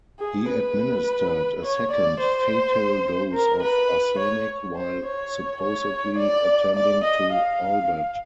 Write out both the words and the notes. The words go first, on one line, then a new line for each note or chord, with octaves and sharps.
He administered a second, fatal dose of arsenic while supposedly attending to Albert.
G#4
B4
C#5
D5
C5
A#4
B4
C#5
C5
C#5
C#5
D5
D5
D#5
F5